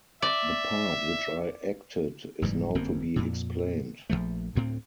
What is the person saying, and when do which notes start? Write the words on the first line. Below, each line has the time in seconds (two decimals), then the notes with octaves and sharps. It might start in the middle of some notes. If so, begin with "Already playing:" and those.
The part which I acted is now to be explained.
0.22 D5 E5
2.42 F#1 G#2 E3 G3
2.75 G1 F#2 A#3 C4
3.16 F2 A#2
4.10 A#1 F2 F3 A3
4.55 D2 A2 C4